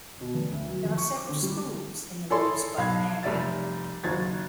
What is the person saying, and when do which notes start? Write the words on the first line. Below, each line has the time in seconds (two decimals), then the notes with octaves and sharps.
There are several schools in the Rosebud area.
0.21 B2
0.35 F1
0.52 D2
0.68 F#3
0.85 F2
0.98 C#6
1.16 D6
1.29 D3
1.43 G3
2.30 E4 G#4 A4 C#5 D5 C6
2.78 B1 F5 B5 G#6
3.23 F1 G3 D5 E5 A6
4.04 F#1 D#2 F#4 G#6 A6